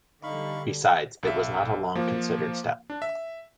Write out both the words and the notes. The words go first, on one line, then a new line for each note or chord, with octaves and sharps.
Besides, it was not a long-considered step.
D3 G3 D#4 F5 B5 C#6
B1 E5
F3 A#3
D4
E5